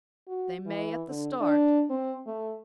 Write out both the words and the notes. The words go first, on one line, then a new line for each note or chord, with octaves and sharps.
"They may at the start."
F#4
E3
D3
D4
C4
A3